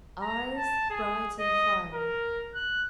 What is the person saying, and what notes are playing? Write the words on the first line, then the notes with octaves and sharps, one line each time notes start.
EYES--Bright and fiery.
A#5
A5
G#4
D#5
A#4
F#6